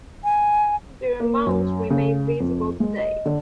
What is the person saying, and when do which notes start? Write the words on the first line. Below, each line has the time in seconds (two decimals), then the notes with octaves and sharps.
Their mounds remain visible today.
0.24 G#5
1.20 A#3
1.46 F#2
1.90 C#3
2.40 F2
2.80 G#3
2.99 D#5
3.26 D3